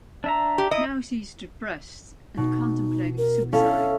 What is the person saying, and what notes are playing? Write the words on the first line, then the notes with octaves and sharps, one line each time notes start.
Now he's depressed, and contemplating suicide.
D4 E5 A#5
G4
D#4 E4 D#5 D#6
B2 D#4
A#4
C#4 E4 A4 F5